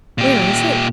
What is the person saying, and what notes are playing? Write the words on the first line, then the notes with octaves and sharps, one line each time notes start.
'Where is it?
A#2 G4